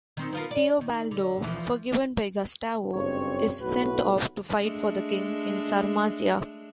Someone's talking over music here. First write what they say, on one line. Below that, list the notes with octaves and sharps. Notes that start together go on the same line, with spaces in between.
Teobaldo, forgiven by Gustavo, is sent off to fight for the king in Sarmazia.
D#3 C4
B3 F4 A#4
D5
D#3
D3
E3 F3
F#1 G2 C4 C#5
B1 A2 F#4 B4
G#3 A3 D4